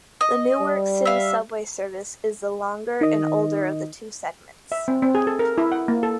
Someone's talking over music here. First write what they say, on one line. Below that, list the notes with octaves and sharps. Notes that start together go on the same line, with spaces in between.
The Newark City Subway service is the longer and older of the two segments.
D#5
G3
E5 F5
D#3 D#5
E5
C4
C4
G#4
A4
A#4
E4
F#5
A#3
A4